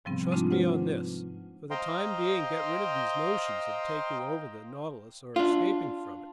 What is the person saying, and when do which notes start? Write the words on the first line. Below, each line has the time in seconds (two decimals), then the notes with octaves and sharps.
And trust me on this: for the time being, get rid of these notions of taking over the Nautilus or escaping from it.
0.05 G#2 C3 F3 G3 B3 C4
0.32 G#3 A3 C4 D4 D#4 F4
0.51 F4 B4 C5 F#5
1.71 C5 D#5 F5 G5 A#5 C6
5.36 D4 F4